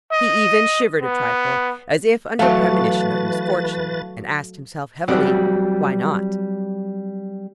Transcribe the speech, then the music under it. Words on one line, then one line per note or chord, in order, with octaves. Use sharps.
He even shivered a trifle, as if under premonition of misfortune, and asked himself heavily: Why not?
D#5
B3
E3 F#3 A3 B4 F5 A5 C#6 A6
F#3 G3 C4 D4 F#4 G4